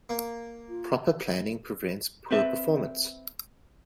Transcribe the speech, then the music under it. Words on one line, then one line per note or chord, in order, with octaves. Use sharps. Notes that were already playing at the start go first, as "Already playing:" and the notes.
Proper Planning Prevents Poor Performance.
A#3
F4
C4 B4 E5